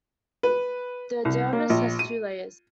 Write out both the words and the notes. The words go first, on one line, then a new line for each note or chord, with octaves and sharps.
The dermis has two layers.
B4
C2
A#3
A#1
D#7